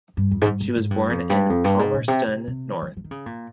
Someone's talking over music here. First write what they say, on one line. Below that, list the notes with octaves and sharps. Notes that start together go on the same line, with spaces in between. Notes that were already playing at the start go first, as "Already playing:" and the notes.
She was born in Palmerston North.
G2
F2
G#2
G2
G#2
G#2
G2
F2
G2
F2
G2
G#2
A#2
C3
C3
C3
F3
F3
D#3
C#3
A#2